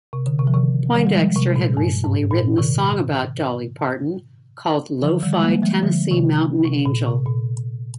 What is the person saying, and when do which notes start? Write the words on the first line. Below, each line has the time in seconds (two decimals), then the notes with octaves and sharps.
Poindexter had recently written a song about Dolly Parton called "Lo-Fi Tennessee Mountain Angel".
0.13 C3
0.26 D3
0.39 C3
0.47 F3
0.54 C3 D#3
0.94 D#3 G3
1.07 G3
1.15 F3 G#3
1.36 C3
1.56 A#2
1.77 G2
2.04 G#2
2.31 A#2
2.57 C3 D#3
5.03 D3 F3
5.23 D#3 G3
5.33 G#3
5.43 G3 A#3
5.62 F3 G#3
5.83 D3 F3
6.11 C3 D#3
6.65 C3
6.86 A#2
7.06 C3
7.26 A#2